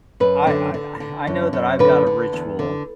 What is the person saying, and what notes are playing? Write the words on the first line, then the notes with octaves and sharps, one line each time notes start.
I I I know that I've got a ritual,
F#2 B4
D3
D3
D3
F#2
F#2
D3 B4
D3
E2
D3